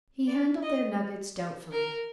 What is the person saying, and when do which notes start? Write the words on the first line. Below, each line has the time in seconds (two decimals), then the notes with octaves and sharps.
He handled their nuggets doubtfully.
0.27 D5
0.63 D#5
1.72 A#4